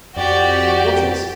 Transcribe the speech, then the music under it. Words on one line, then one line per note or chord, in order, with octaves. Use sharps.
"What is?"
F2 F#4 G4 D5 G5